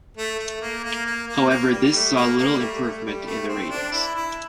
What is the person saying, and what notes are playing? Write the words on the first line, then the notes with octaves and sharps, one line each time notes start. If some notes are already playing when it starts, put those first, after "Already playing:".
However, this saw little improvement in the ratings.
A3
A3
A#3
A#3
A#3
A#3
A#3
G3
G3
A3
A#3
A#3
G3
A3
A3
G3
A3
C4
D4
E4
E4